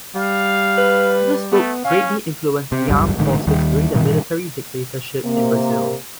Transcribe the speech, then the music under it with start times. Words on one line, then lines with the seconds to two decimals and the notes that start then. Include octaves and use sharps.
This book greatly influenced the armed forces during the military dictatorship in Brazil.
0.15 G3 F5
0.78 B4
1.52 A3 B3
1.84 C#4 F5
2.72 C3
2.88 G#1 C#2 F#2 G3
3.18 A1 G#2 D3 D#3
3.47 D#2 D#3 G3
3.94 G2 A#2 D#3 E3
5.24 C3 A#3